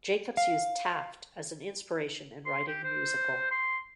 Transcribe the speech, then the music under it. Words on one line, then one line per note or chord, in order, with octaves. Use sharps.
Jacobs used Taft as an inspiration in writing the musical.
F5
C6
G4
C5
C6